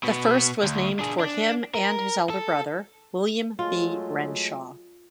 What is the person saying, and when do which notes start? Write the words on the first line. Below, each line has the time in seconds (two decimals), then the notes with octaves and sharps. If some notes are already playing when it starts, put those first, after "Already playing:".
The first was named for him and his elder brother, William B. Renshaw.
0.03 B2 B3
0.63 D2
0.99 D4 G#4
1.20 D4
1.74 A#4
2.30 A4
3.59 F#3 G#3 A3 F4